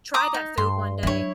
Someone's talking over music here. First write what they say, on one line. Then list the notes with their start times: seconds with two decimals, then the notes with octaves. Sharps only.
try that food one day.
0.14 A#5 D6 D#6
0.34 D#4
0.58 G2 C6
1.03 F#3 D4 E4 C#5